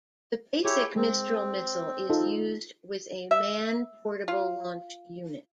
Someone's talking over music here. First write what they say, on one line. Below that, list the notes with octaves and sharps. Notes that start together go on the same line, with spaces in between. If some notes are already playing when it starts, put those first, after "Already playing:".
The basic Mistral missile is used with a man-portable launch unit.
E4 G4 G#4 C#5
G#3 C4
D#4 F4 A4
E5
F4